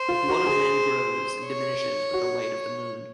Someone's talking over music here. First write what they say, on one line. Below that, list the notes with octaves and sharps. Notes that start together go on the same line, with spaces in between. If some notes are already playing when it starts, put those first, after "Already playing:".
The blood of men grows and diminishes with the light of the moon.
Already playing: C5
F4
F#4
G#4
C#5
F#4